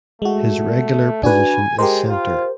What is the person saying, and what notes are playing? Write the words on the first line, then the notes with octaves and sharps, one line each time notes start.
His regular position is centre.
G#3 A3 F#4
D4 F#4 B4 G#5
G#3 G4 A#4 C5
F4